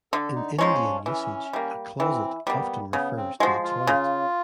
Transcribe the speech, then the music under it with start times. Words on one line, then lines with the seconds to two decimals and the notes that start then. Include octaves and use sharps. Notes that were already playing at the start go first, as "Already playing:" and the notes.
In Indian usage, a closet often refers to a toilet.
0.12 D3 A4
0.35 D#4
0.59 F3 G#3 C#4 D#4
0.83 D4
1.06 E3 C#4
1.53 G3 A#3
1.99 E3 C4
2.47 G3 A#3 B3
2.93 C#3 B3
3.17 C4
3.40 F3 G#3 F#4
3.64 F4
3.87 C#3